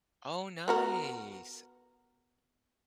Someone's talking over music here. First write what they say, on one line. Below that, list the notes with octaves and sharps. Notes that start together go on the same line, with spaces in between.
Oh, nice.
B3 F#4 A#4